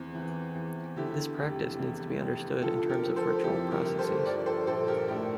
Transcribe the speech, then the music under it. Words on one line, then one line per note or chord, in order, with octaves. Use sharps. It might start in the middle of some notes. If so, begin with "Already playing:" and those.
This practice needs to be understood in terms of ritual processes.
Already playing: E2 C4
E3
E2
D3 E4 G4
F1
E2
F1
D3 F4 A4
G4 A#4
F3
A4 C5
F2 E4 G4
G4 A#4
G1
A4 C5
F3 A#4 D5
A4 C5
A#1 A4 C5
G4 A#4
A2 G4 A#4